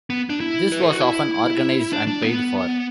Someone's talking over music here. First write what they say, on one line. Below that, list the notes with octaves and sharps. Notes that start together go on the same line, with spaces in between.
This was often organized and paid for.
B3
D4
E4
B4
A4
F#4
E4
D4
D4
B3